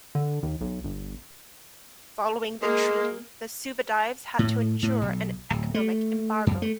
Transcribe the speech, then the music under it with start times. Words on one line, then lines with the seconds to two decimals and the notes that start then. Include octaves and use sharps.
Following that treaty the Suvadives had to endure an economic embargo.
0.15 D3
0.43 D#2
0.61 B1
0.84 G1
2.63 G#3 A#3
4.39 A2
4.83 A2
5.02 B1
5.50 D1
5.74 A3
6.47 F#2
6.62 A3